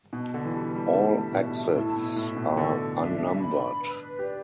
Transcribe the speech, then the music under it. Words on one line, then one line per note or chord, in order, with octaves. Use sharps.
All exits are unnumbered.
B2 A5
D3
E3
G3 A5
G3
D3 E5
A2
B2 A5
A2 E4
B2
A2 E5
B2
D3 A4
D4 E5
B5
B4
G4 D5